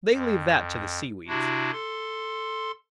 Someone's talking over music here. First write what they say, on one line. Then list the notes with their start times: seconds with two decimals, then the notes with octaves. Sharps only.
They leave that to the seaweeds.
0.10 F2
1.28 C3 D4 E4 F#4
1.72 A4 C6